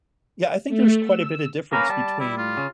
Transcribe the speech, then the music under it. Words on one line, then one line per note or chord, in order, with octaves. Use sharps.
Yeah, I think there's quite a bit of difference between,
A3
E6
A#3 C#4 A#4 B4
G3 A5
E4
F4
C#3